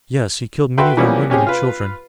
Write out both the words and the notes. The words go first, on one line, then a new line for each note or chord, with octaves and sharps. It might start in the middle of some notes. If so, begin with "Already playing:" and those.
Yes, he killed many of our women and children.
F#4 B4 E5 G5 B5 C6
E3 F3 G3 A#3 B3 C#4
C3 C#4 G4 G#4
F4 B4